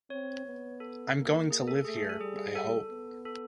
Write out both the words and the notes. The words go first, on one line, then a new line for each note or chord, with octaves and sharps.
I'm going to live here, I hope.
C4 C#5
B3
A4
A#3
G#4
A4
A3 G#4
G#4
A4
G3 G#4
G#4
A4
B3
A4